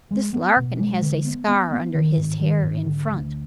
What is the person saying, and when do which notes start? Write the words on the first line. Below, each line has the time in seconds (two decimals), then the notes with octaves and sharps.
This Larkin has a scar under his hair in front.
0.11 G#3
0.33 B3
0.56 B2
0.79 G#3
1.02 D3
1.25 B3
1.48 B3
1.71 B3
1.94 D#3
2.16 G#2
2.39 D#3
2.62 G#2
2.85 D3
3.09 D2